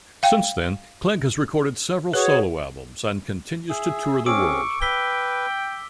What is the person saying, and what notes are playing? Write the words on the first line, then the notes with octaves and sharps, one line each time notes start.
Since then, Clegg has recorded several solo albums and continues to tour the world.
F5 G5
F#4 G#4 B4 C#5
G#4 E5
C4 C#4 G#4 C#6 D6 E6 D7
B4 G5 E6 B6 G7